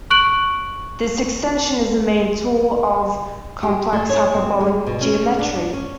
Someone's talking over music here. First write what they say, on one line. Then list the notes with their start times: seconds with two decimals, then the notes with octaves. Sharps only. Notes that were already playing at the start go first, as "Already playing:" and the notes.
This extension is the main tool of Complex Hyperbolic Geometry.
0.10 C#6 F#6 D7 F#7
3.63 G4
3.93 A3
4.09 C#5
4.35 C4
4.60 G#3
4.87 B2
5.01 C#4
5.39 D4
5.56 D4
5.73 C#4